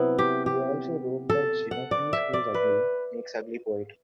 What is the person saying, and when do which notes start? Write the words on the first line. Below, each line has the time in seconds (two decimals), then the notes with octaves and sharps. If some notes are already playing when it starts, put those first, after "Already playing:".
He also wrote that "Xenocles, who is ugly, makes ugly poetry".
Already playing: C3 F#3 B3 E4
0.19 G4
0.46 G4
1.30 A4
1.71 F#5
1.91 D5
2.13 E5
2.33 D5
2.54 B4